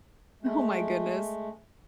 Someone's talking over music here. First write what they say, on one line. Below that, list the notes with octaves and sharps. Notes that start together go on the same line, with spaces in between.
Oh my goodness.
G#3 A3